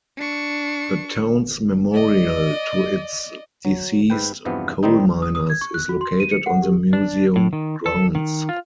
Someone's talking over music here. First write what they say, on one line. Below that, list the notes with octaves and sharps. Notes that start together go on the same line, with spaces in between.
The town's memorial to its deceased coal miners is located on the museum grounds.
D4 C#6
D5 D#5
F#3
G#2 B4 G5
E2 G2 C3 F3 B3
D#3 G3 C4 D#4
D#6
D#6
G#6
C#6
F#6
F#4
C6
D#7
C#7
F#5
G4
D4
A2
D#3
A4
D#3
F4